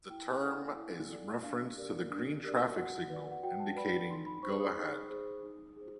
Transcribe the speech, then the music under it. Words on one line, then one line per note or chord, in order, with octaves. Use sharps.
The term is a reference to the green traffic signal, indicating "go ahead".
E4 G5
G#5
F5
A4 D5 F#5
E4
A4 D5
D4 F5
G4 A#4 D5
D4
G4 A#4 D5
F#4 F#5
B4 D5
F#5
F#4 G5
A5
B4 D5 B5
D#4 C6
B5
G#4 C5 C#6
D#6
D#4
G#4 C5
D#4
G#4 C5